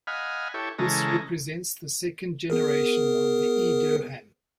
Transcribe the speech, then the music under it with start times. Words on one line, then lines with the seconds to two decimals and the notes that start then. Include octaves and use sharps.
This represents the second generation of the e-Dirham.
0.07 D#5 F5 F#5 G#5 B5 F6
0.54 E4 G4 A4 C#5
0.78 C#3 E3 G#3 A4 A#5
2.50 B3 G#4 A#4